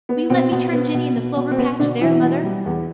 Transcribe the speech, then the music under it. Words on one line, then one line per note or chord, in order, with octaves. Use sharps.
Will you let me turn Jinny in the clover patch there, mother?
B3
B2 C4
B2
B3
B2
B2
B2
C4
B2 B3
B2 D3 D4
E3 F#3 E4
B2
G3
E2